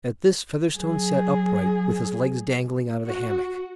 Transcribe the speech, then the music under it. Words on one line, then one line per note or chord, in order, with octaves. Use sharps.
At this Featherstone sat upright, with his legs dangling out of the hammock.
F#3 G#4
F#4